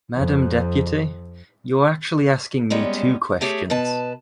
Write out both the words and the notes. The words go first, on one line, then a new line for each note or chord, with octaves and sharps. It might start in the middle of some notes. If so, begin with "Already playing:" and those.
Madam Deputy, you’re actually asking me two questions.
F2
A#2 G3 G#3 B3 C#4
A3 G4 G#4 C#5
B2 B4 A5